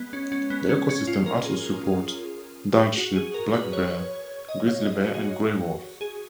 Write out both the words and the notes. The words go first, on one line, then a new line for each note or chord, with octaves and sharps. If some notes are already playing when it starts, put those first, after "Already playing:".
The ecosystem also supports Dall sheep, black bear, grizzly bear, and gray wolf.
Already playing: G#3 B3
C#4
C#4
B3
C#4
C#4
F4
A#4
G#4
F#4
G#4
A#4
B4
C#5
D#5
F5
D#5
F#4
G#4
F#4
G#4